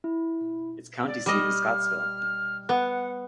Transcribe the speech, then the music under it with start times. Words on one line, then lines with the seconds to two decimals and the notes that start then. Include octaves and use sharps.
Its county seat is Scottsville.
0.04 E4
1.07 D5
1.26 G3 D#5 F6
2.69 B3 F#5